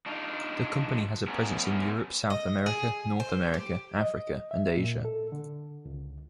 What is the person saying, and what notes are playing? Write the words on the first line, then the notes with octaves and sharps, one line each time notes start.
The company has a presence in Europe, South America, North America, Africa and Asia.
D4 D#4 F4
A3 B3 C#4 G#4 A#4
D#5
G#4
C5
G4
D#5
E5
A#2
A4
D3
C#2